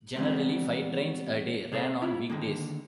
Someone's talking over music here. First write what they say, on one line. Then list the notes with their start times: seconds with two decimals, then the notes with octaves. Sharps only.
Generally five trains a day ran on weekdays.
0.16 E3 G3 G#3 B3 C4
1.72 C3 G#4 A4 C5
2.02 E4 F4
2.30 D3 D#3 G#3 A#3